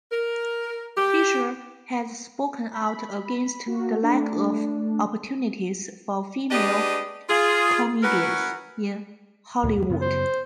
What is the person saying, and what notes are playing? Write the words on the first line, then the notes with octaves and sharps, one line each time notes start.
Fisher has spoken out against the lack of opportunities for female comedians in Hollywood.
A#4
G4
B5
A#3 F#4
A3 D4
D4 G4 G#4 B4 D5 D#5
F4 G#4
C#4 E4 F#4 A#4 B4
D2 A#2
E2
F#2 C#3 B3
C5